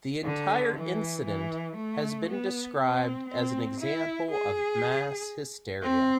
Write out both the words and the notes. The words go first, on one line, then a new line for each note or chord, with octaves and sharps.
The entire incident has been described as an example of mass hysteria.
D3
E3
E3
A3
B3
C4
C4
E4
G#4
C4